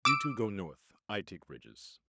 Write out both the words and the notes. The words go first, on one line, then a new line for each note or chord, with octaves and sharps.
"You two go north--I take ridges."
D6 E6 D7